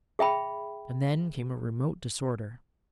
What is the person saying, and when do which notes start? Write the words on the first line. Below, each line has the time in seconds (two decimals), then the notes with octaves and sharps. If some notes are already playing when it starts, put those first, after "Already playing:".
And then came a remote disorder.
0.19 G#4 E5 G5 B5